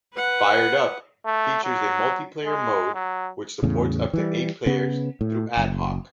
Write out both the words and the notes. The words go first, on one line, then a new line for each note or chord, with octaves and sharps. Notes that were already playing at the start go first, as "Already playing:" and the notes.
"Fired Up" features a multiplayer mode which supports up to eight players, through ad-hoc.
B4 F#5
A3
F#3
G#3
F#3
E2 A2 C#3
E3 G3
C#3 B3
A2
F#1